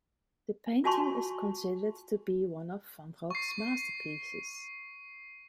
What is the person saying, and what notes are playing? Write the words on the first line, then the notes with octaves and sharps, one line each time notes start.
The painting is considered to be one of Van Gogh's masterpieces.
F4 F#4 G#5 A5 C6 C#6
C#6 C7